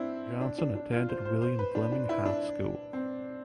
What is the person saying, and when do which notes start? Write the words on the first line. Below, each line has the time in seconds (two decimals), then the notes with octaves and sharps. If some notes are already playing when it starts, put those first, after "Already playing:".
Johnson attended William Fleming High School.
Already playing: C4 D4 E4
0.41 D4
0.59 D4
0.75 D4
0.92 F4
1.09 C5
1.25 C5
1.42 C5
1.59 B4
1.75 D4
1.92 D4
2.09 E4
2.25 D4
2.93 C4